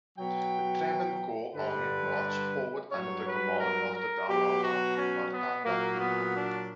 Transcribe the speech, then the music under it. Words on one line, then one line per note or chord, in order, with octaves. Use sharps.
The Travancore army marched forward under the command of the Dalawa Martanda Pillai.
B2 F#3 G5
G2 D3 G3 B4
G2 F#3 C#5
B4
A#4
A#4
B2 F#3 G4
F#4
C#4
B3
A#2 F#3 A#3
B3
D4